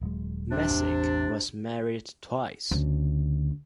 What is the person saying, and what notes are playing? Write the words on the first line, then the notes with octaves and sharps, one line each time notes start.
Messick was married twice.
D#1 F#3 G#3
C3 D4
A1 E2
D2 C#3